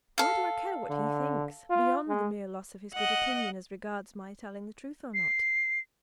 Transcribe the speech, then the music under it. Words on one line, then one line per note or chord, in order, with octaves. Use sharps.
Why do I care what he thinks, beyond the mere loss of his good opinion as regards my telling the truth or not?
A4 F5
D3
F4
G#3
D#5 F#5
C7